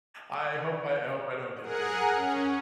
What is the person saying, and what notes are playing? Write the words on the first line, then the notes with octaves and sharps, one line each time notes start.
I hope I hope I don't get there anytime soon.
G#4 A#4 F#5
C#4